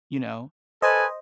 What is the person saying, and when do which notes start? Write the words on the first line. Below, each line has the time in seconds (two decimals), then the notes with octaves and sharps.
you know,
0.82 A4 B4 C5 D#5 G#5